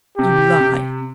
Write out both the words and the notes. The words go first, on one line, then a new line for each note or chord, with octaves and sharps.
"You lie!"
C3 G4
C3